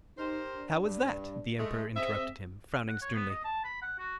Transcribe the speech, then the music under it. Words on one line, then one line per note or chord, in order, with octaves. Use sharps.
"How is that?" the Emperor interrupted him, frowning sternly.
D#4 G4 A#4 C5
D4
G2
G#3 A3
C4 G#4 D#5 E5
F#5
C#5
B3
D#5
A5
B5
F#5
F#4